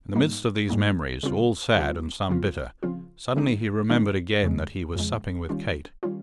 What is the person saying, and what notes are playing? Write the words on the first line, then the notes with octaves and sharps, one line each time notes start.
In the midst of these memories, all sad and some bitter, suddenly he remembered again that he was supping with Kate.
G#2 G3 A#3 D#4
G#2 G3 A#3 D#4
C#3 G3 C4 F4
C#3 G3 C4 F4
C#3 F3 C4 F4
C#3 F3 C4 F4
D#3 G#3 C4 D#4
D#3 G#3 C4 D#4
F2 C#3 G#3
F2 C#3 G#3
D#3 G3 C#4 F4
D#3 G3 C#4 F4